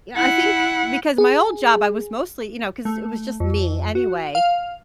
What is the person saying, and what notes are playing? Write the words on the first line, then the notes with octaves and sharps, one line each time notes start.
you know, I think because my old job, I was mostly, you know 'cause it was just me anyway,
E4 F#5
G#4
A3
F2
F#4
F5